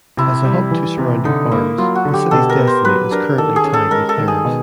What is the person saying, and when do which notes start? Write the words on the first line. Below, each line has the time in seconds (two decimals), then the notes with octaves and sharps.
As a hub to surrounding farms, the city's destiny is currently tied with theirs.
0.17 C3 E4
0.44 G3
0.71 E3
0.98 C3
1.25 D3 D#4
1.52 A#3 E4
1.78 F#3 F4
1.95 F#4
2.05 D3
2.14 G4
2.31 B2 A4
2.49 A#4
2.58 B3
2.67 C5
2.85 F#3 B4
3.11 D4 A#4
3.38 D#3 A4
3.56 G#4
3.65 C#4
3.74 A4
3.91 G#3 A#4
4.09 A4
4.18 D#3
4.28 G#4
4.45 B2